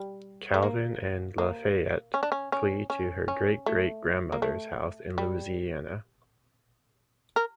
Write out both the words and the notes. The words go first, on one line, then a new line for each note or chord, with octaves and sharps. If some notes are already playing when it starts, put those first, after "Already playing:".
Calvin and LaFayette flee to her great-great-grandmother's house in Louisiana.
Already playing: G3
A3
A#3
A#3
C#4
D4
C#4
C#4
C#4
C#4
A3
A#3
A3
G3
A#4